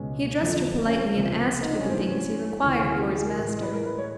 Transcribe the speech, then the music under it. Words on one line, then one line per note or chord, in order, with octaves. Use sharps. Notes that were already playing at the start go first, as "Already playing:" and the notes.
He addressed her politely and asked for the things he required for his master.
Already playing: C#2 B2 G#3 C#4
F2 D3 F3
C#4
C4
C#2 C3 F3 C4
D#4
D4
C#4
G2 E3 A3 C4
C#4
D2 C3 E3
G#4
G4
G#4
A#4
A2 E3 G#3
B4
A#4
B4
C#5